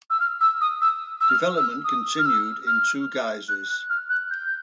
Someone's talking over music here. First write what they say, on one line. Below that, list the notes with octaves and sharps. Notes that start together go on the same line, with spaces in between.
Development continued in two guises.
E6
F6
E6
D#6
E6
E6
F6
E6
D#6
F6
E6
F6
F#6
F#6
F6
F#6
G6